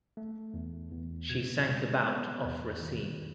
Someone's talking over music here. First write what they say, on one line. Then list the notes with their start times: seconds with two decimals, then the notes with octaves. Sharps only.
She sank about off Racine.
0.17 A3
0.54 E2
0.92 E2
1.29 B2 G#6
1.68 G#3
2.05 B3 F#6
2.44 E2
2.81 D#3